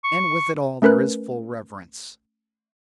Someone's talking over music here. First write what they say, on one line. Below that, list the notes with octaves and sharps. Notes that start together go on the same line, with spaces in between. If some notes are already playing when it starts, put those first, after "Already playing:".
And with it all there is full reverence.
C#6
A3 C#4 A#4 B4 F#6